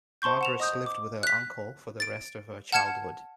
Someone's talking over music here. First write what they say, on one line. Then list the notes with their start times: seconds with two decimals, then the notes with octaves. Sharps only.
Margaret lived with her uncle for the rest of her childhood.
0.22 C5 A5 C6 C#6 G6
0.41 F#5 E7 F7
0.60 D#5 D#6 G6
0.86 D6
1.23 F#6 B6
2.00 A6 D7
2.72 F#5 A5 F6 G#6 C#7 E7